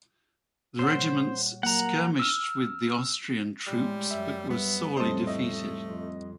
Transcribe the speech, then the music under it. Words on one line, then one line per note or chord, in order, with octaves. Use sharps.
The regiments skirmished with the Austrian troops but were sorely defeated.
A#2 C5 C#5 F#5
G3
F#3 A#3 F#5 A#5
E6 F6
A2 G3 G#3
F#2 E5
G3 B3
F2 A2 G3 C4 A4 C5 D#5
A3 D#5
F2